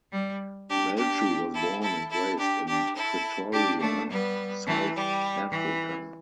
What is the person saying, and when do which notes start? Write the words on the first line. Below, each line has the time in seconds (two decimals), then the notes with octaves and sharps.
Velshi was born and raised in Pretoria, South Africa.
0.12 G3
0.69 D4 G4
0.97 D4 G4
1.54 E4 A4
1.82 E4 A4
2.11 E4 A4
2.39 D4 G4
2.68 D4 G4
2.96 E4 A4
3.52 D4 G4
3.81 A3 D4
4.10 G3 B3
4.66 E3 A3
4.95 G3
5.51 E3